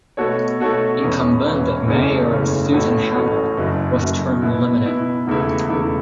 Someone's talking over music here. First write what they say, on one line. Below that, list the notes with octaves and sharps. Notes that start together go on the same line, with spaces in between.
Incumbent mayor Susan Hammer was term limited.
B2 A3 F#4 A4 C#5
B2 A3 F#4 A4 C#5
E1 E2 E3 C#4
E1 E2 E3 C#4
F#1 E2 C#3 A3 C#4
F#1 E2 C#3 A3 C#4
A1 A2 A3 C#4 F#4
A1 A2 A3 C#4 F#4
F#1 F#2 F#3
F#1 F#2 F#3
B2 B3 E4
B2 B3 E4
E1 E2 C#3 A3 E4
E1 E2 C#3 A3 E4